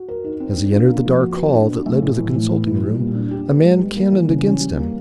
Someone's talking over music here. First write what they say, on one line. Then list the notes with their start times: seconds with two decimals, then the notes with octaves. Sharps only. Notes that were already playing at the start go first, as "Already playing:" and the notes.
As he entered the dark hall that led to the consulting-room a man cannoned against him.
Already playing: F#4
0.08 A#4
0.24 D#4
0.40 C4
0.56 D4
0.72 F4
0.89 A#3
1.05 F3
1.21 F#4
1.37 B3
1.54 D4
1.70 B3
1.86 A3
2.02 A2
2.19 E3
2.35 A2
2.51 B3
2.67 E4
2.83 G3
2.99 A#2
3.15 D4
3.31 G4
3.48 B3
3.64 G#3
3.80 G3
3.96 A#3
4.12 E3
4.28 C#3
4.45 C#4
4.61 G3
4.77 A#3